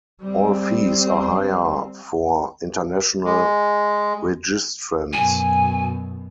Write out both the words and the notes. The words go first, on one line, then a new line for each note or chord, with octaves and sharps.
All fees are higher for international registrants.
G3 C4
G#3
F#2 B2 G#5